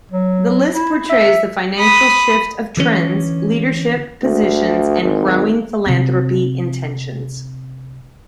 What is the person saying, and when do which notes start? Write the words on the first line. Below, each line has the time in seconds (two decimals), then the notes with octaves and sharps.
The list portrays the financial shift of trends, leadership positions, and growing philanthropy intentions.
0.11 F#3
0.74 E4
1.10 E5
1.79 B5 D#6
2.77 D3 E3 G#3 C#4
4.23 D2
5.01 G#1
5.86 C3 C4